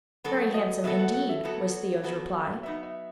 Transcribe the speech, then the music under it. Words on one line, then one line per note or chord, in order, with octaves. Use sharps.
"Very handsome, indeed," was Theo's reply.
F#3 B3 F#4 A4
D#5
F#3 B3 F#4 A4 E5
F#5
F#5
E5
F#3 B3 F#4 A4
F#3 B3 F#4 A4
F#3 B3 D#4 E5
E5